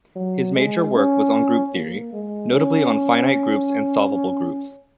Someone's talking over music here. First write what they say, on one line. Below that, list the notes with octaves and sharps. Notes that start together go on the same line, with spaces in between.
His major work was on group theory, notably on finite groups and solvable groups.
F#3
G#3
C#4
A#3
G#3
C#4